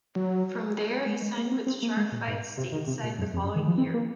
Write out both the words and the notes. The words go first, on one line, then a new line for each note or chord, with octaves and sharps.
From there, he signed with Shark Fights stateside the following year.
F#3
G#3
G#3
A#3
C4
C4
A#3
G#3
A#2
G#2
C3
D#3
C3
A#2
F#2
F2
F#2
D#3
F3
C4
A#3